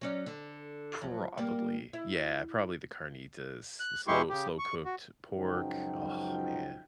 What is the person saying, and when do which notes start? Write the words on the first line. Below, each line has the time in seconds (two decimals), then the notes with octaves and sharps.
Probably, yeah, probably the carnitas, the slow slow-cooked pork. Oh man,
0.01 F#3 C#4 D5
0.26 D3
1.01 F3 F#3
1.38 G3 A#3
1.93 E4
3.80 F#6
4.08 B2 G#3 E4 G4 C6 C#6
4.30 C#3 G4
4.59 C#6
4.85 F#4
5.36 C#2 F#2 F3 F#3 D#4 G5